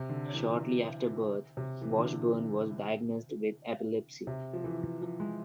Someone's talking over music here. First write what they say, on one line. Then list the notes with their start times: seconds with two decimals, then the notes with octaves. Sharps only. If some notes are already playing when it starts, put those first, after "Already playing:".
Shortly after birth, Washburn was diagnosed with epilepsy.
Already playing: C3
0.09 D3
0.34 E3
1.57 C3
1.82 E3
1.98 D3
2.07 E3
4.27 C3
4.53 F3
4.64 E3
5.01 F3
5.20 G#3